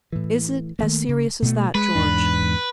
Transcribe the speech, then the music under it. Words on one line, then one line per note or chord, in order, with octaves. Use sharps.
"Is it as serious as that, George?"
A2 E3
D#3 A3 A#3
C#3
B2 A3
G#3 B4
E2 G#2 D4